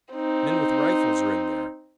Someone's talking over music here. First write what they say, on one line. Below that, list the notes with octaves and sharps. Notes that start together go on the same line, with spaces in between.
Men with rifles are in there.
C4 D#4